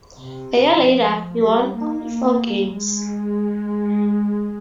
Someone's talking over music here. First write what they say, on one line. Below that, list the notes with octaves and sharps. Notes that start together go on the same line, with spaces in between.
A year later, he won only four games.
C3
F3
G3
A#3
G#3